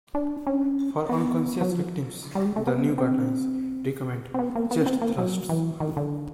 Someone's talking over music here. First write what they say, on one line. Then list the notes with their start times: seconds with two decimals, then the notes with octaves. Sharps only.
For unconscious victims, the new guidelines recommend chest thrusts.
0.15 D4
0.47 C#4
1.09 B3
1.61 F#3
1.72 F3
2.35 G3
2.45 G#3
2.56 A3
2.67 B3
2.98 C4
4.34 C4
4.39 B3
4.55 A#3
4.71 B3
4.81 C#4
4.86 C4
5.02 A#3
5.18 F#3
5.49 E3
5.80 D#3
5.97 D3